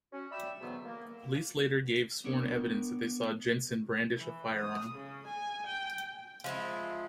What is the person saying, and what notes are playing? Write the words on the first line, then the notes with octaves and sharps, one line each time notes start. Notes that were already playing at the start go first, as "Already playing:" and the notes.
Police later gave sworn evidence that they saw Jensen brandish a firearm.
C#4 F#4
D5 E5 G5 B5 E6
G#2 B2 D3 E3 F#3 B3
A#3
B3 D4 A#4 C#5
E3
D#6
C#3
G#5
G5
F3 G#3 C4 E4